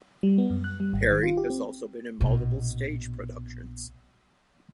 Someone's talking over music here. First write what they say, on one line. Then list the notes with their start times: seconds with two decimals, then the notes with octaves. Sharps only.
Perry has also been in multiple stage productions.
0.23 G3
0.38 B3
0.50 F#2
0.64 F#6
0.80 G3
0.93 G#1
1.12 D#3
1.23 F4
1.37 G4
1.50 C4
2.21 A#1 B2